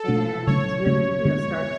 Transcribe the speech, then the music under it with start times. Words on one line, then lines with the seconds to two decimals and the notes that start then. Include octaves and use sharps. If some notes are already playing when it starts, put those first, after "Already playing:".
and then, you know, start
Already playing: A4
0.08 B2 A3 D4
0.47 C#3 F#3 A3 C#4 C#5
0.86 C#3 F#3 A3 C#4 C#5
1.25 D3 G#3 B3 D4